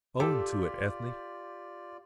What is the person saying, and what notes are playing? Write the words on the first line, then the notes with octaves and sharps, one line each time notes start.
Own to it, Ethne!
F4 G4 A4 D5